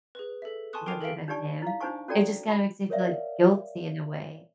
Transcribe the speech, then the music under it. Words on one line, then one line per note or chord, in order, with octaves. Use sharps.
man other than him. It just kinda makes me feel, like, guilty in a way.
G#4 B4
A4 E5
G#5 A5 C6 C#6 D#6 F#6
A#4 G5 G#5 D6 C7 F7
A4 A#4 E5 F5 D7
D4 D#4 G4 D5 A5 C#6
E4 F5
D4 D#4 C5 G#5 A5 C#6
C#4 F#4 A4 D5 G5 A#5
B5
A#4 C#5 D5 E5 F5